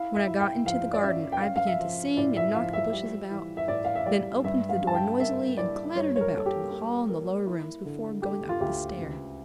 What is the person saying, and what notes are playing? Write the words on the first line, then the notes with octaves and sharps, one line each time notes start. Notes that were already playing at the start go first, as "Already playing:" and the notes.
When I got into the garden I began to sing and knock the bushes about, then opened the door noisily, and clattered about in the hall and the lower rooms before going up the stair.
Already playing: E4 F5
E5
E4
G5
F3 F5
D5
C#4 E5
G5
C#4 F5
F5
E5
F3
A2 D5
E5
F3 F5
E5
G3
E3
E5
A2 D5
F5
E5
G3 D5
G2 E5
F5
G2
A5
G5
A#3 E5
E4 D5
G2 C#5
C#5
A#4
A#3 A4
G4
A#3
A#3
E4
D3
A3 G4
F4
D2 G4
C#2